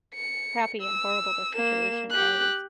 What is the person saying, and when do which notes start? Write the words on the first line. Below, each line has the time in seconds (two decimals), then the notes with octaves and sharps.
crappy and horrible this situation is,
0.15 C#7
0.81 E6
1.55 A#3 E7
2.11 G4 F#6